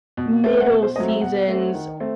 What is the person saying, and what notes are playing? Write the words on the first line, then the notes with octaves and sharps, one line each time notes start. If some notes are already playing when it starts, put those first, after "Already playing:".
middle seasons
B2
A3 C4
F#5
B2 E5
C5
F#3 A3 C4 D#5
E5
B2 F#5
A3 C4
D#3
A3 C4